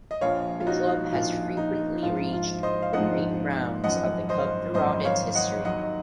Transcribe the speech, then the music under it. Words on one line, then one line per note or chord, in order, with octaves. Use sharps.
The club has frequently reached the main rounds of the cup throughout its history.
D#5
A#1 A#2 F3 C#5 F5
F4
D#4 F#4
A#1 A#2 F3 F4
D#4
A#1 G#2 F3 F4
F4
C5 D#5
F5
A#1 G#2 F3 D#5 F#5
G#1 F#2 F3 D#5 F#5
C5 D#5
G#1 F#2 F3 C5 D#5
C#5 F5
D#5 F#5
D#2 D#3 F#3 D#5 F#5